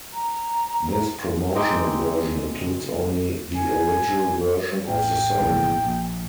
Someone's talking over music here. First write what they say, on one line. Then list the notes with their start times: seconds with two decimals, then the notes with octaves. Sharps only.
This promotional version includes only the original version of the song.
0.13 A#5
1.55 G#3 C4 D#4 G4
3.55 G#5
4.88 A1 F5 G5
5.41 A#1 E2 A2
5.83 A#1